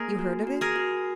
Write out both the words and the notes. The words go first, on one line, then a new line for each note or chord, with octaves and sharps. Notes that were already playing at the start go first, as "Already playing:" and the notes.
You heard of it?
Already playing: A#3 G#4 A#4
F#4
F#4
G#4 A#4
F#4